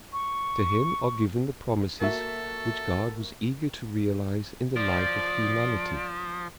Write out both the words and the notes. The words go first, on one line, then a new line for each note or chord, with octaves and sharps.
To him are given the promises which God was eager to realize in the life of humanity.
C#6
A#3 F#4 A4 E5
F3 D5